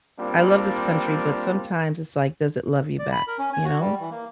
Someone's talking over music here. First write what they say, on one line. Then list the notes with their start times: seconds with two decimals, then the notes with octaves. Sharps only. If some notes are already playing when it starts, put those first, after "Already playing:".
I love this country, but sometimes it's, like, does it love you back? You know?
0.19 G3 A#3 C4 D4 F4
2.99 D5
3.12 B5
3.27 A#4
3.39 C#4
3.53 G#5
3.65 F#4
3.80 G3
4.00 E3
4.11 A#3